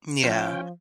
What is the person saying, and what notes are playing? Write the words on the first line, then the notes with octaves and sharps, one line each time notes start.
Mm, yeah.
F3 C#4 F4 G5